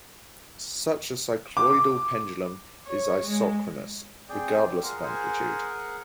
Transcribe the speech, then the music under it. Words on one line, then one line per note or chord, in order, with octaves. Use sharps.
Such a cycloidal pendulum is isochronous, regardless of amplitude.
D6
C#5
G#3
C4 G#4 D5 G5
F4 G#4 A#4 F#5
C5 G#5